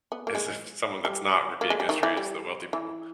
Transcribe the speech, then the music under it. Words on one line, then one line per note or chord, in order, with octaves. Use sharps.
is if someone that's not repeating history is the wealthy people,
B3
A#3
G#3
G3
A#3
G#3
G3
D#3
E3
G3
E3